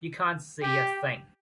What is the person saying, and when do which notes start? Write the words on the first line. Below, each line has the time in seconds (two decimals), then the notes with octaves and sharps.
You can’t see a thing.
0.63 G4